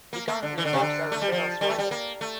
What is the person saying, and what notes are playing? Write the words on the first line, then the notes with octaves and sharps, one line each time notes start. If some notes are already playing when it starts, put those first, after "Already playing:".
He currently works as a freelance writer.
A#3
A#3
D3
E3
D3
C3
D3
A3
G3
F3
G3
A3
G3
A#3
A3